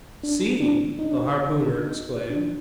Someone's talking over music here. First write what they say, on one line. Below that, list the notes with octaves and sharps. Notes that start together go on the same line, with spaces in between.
"See!" the harpooner exclaimed.
D4
D4
C4
D#4
D4
D#4
D4